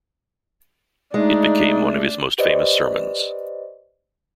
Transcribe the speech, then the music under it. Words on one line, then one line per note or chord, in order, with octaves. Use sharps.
It became one of his most famous sermons.
G#3 A3 D4 D#4
G4 B4 C5 D5 D#5